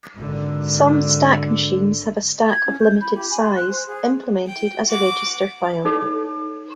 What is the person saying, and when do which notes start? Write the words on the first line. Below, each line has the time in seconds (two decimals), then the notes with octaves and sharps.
Some stack machines have a stack of limited size, implemented as a register file.
0.17 G#1 D3
2.50 G#6
2.66 C#4
2.81 G6
3.01 B5
3.15 G4
3.31 G#5
3.43 C6
3.55 F#6
3.70 C5
3.87 G#4
4.47 G5
4.87 F#4 D6
5.85 D#4 A4 C#5